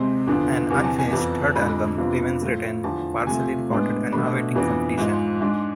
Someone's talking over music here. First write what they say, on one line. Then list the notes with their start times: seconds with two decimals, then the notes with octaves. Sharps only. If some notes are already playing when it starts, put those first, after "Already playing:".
An unfinished third album remains written, partially recorded and awaiting completion.
Already playing: C3 G#3 C4 C6
0.27 E2 D3 F3 B3 D4
0.70 E2 C3 E3
0.84 A5
0.99 G#5
1.13 F2 E3 B3 A5
1.55 F2 D3 G#3 D4 B5
1.98 F2 C3 F3 B3 D4
2.41 A2 F3 A3
2.84 E2 D3 F3 A5
3.27 C3 F3 A3 G#5
3.69 A2 G#3 B3 D4
4.12 B2 A3 D4 B5
4.55 F2 E3 B3 D4
4.98 G#2 F3 G#3
5.41 G#2 G#3 D4